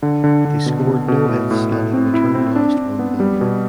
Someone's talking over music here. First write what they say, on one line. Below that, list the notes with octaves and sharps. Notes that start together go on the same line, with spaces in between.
They scored no hits and in return lost one bomber.
D3
D3
D3
B2
B2
B2
A2
A2
A2
C4
E4
C4
D4
D4
B3
G3
B2